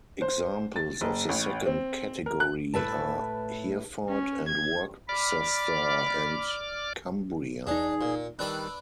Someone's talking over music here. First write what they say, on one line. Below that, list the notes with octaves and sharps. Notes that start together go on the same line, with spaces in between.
Examples of the second category are Hereford and Worcester and Cumbria.
C5
A6
F#1
A1
C4
A#4
F#6
A2 B4 E5 A5
C#4
G#6
D5 B5 D6 F6
E2 D4 D#4 G#4
A#2
D#3 G3 D4 B4 D5 E6 F#6